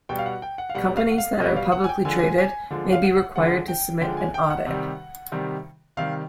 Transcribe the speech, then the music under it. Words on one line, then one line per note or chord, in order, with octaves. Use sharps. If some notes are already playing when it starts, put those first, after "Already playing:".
Companies that are publicly traded may be required to submit an audit.
B2 G3 G5
F5
F#5
G5
F#5
F5
B2 G3 F#5
F5
F#5
F5
B2 G3 D#5
F5
F#5
G#5
G5
D3 F3 G#3 G#5
G#5
G#5
D3 F3 G#3
F5
F#5
D3 F3 G#3 F#5
G5
D3 F3 G#3 G5
G#5
G5
F#5
C3 D#3 G3
C3 D#3 G3
C3 D#3 G3 F5